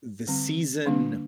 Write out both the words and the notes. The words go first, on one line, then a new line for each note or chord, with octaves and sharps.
the season
D3 G3 C4
D3 G3 A#3 D4